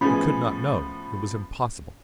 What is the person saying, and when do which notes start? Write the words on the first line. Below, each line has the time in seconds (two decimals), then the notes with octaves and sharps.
He could not know. It was impossible.
0.01 A2 F3 B3 C#4 G#4 B5